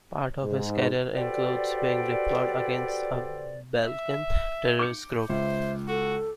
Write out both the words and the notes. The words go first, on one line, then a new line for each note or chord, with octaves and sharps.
Part of his career includes being deployed against a Balkan terrorist group.
G#2
F#4 G4 A4 B4 C5 D5
E5
D6 G6 C#7
C#2 C5 E5
F#4 A4